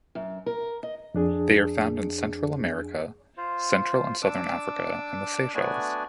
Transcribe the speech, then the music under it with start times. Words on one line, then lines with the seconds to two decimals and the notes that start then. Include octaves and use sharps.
They are found in Central America, Central and Southern Africa and the Seychelles.
0.15 F#2
0.46 A#4
0.83 D#5
1.14 F2 D4 G#4
3.37 F4 C5
4.22 D4 D6 E6
5.54 A3 B3 D4 F#4 D5 G#5